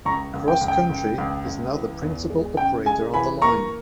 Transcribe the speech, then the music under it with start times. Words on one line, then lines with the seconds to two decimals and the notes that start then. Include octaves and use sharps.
CrossCountry is now the principal operator on the line.
0.05 C#2 A#5 C#6
0.33 C#2
0.48 G5
0.61 C#2
0.68 G5
0.89 C#2
1.18 C#2
1.46 C#2
1.74 E3
2.02 E2
2.30 G#3
2.57 C#3 G5
2.86 G#3 G#5
3.14 E3 G#5 B5
3.42 A#3 A#5 C#6